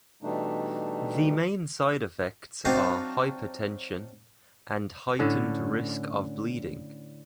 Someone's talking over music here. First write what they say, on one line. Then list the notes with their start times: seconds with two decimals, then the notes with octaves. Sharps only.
The main side effects are hypertension and heightened risk of bleeding.
0.23 B2 E3 G3 A3 D4 D#4
2.65 F#3 C4 D4 D#4 F4 F#4
5.19 A2 D3 C#4 A4